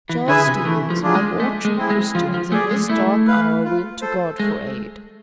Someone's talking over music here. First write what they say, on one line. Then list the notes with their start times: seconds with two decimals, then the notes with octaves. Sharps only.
Charles Stevens, like all true Christians, in this dark hour went to God for aid.
0.09 E3
0.28 D3 G#4 B4 E5 G#5
0.47 C3
0.65 E3 A3
0.90 F3
1.03 D4 F4 G#4
1.15 G#3
1.40 G#3 A3
1.65 G#3
1.77 C4 E4 G#4
1.90 G#3
2.15 F3 F4
2.34 F3
2.52 A3 G#4 D5
2.71 G#3
2.90 A3 E4
3.27 B4 F5
3.65 F4
4.02 A4 C5
4.39 G#3 A3